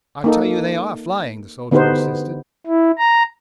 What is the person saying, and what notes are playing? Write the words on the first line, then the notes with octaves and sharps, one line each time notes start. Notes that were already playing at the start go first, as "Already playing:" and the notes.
"I tell you they ARE flying," the soldier insisted.
A#3 D#4 A4
D3 B3 D#4 G4 B4 C5
E4
A#5